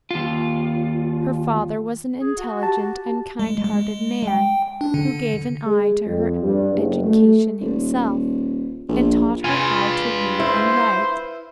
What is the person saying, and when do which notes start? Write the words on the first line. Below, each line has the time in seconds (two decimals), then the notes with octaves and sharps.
Her father was an intelligent and kind-hearted man who gave an eye to her education himself, and taught her how to read and write.
0.11 D#2 F4
2.20 G#4
2.38 F#4
2.63 G4 A5
3.39 G#3
3.64 G#3
4.27 G5
4.81 D4
4.94 D3
5.65 G#3
6.06 F2
6.42 G2
6.73 F#1
7.04 A3
7.61 D#1
8.89 A#1
9.44 F4 B4 F5 G#5
10.40 E4 C5